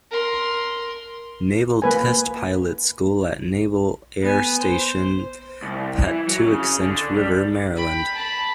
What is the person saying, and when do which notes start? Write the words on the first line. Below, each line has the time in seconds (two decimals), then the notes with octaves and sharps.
Naval Test Pilot School at Naval Air Station Patuxent River, Maryland.
0.11 A#4 C6
1.82 A#3 B4 G#5
4.22 B3 G#5
4.59 C5
5.62 C2
6.03 E3
6.28 F#3
6.45 C#3
6.82 D3
7.15 G3
7.77 G5 B5
8.14 A5 B5